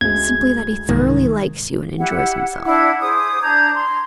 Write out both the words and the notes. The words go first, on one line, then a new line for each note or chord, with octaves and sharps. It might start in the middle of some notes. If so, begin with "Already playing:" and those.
Simply that he thoroughly likes you and enjoys himself.
D2 G#3 G#6
C2 G#2 D#3
E4 G4 F#5
D4 E4 F#5 G#6
G#4 C5 D6 D#6
D4 A#5 G6 G#6
C6